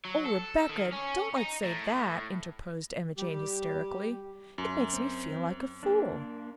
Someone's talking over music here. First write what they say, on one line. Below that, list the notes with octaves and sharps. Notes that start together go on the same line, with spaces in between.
"Oh, Rebecca, don't let's say that!" interposed Emma Jane hysterically. "It makes me feel like a fool."
F#3
A4
D#3
C#4
D#4
A2
G3 G4
F#2
C4
A#3 D4